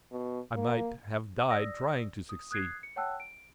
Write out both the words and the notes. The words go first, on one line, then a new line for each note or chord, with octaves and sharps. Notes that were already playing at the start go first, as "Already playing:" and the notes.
I might have died trying to succeed.
B2
A#3
D5 D#6 E6 A#6
D#6
D#6 F#6 G#6 C7
C#7
C#5 F#5 G5 A5 E6 F#6
D7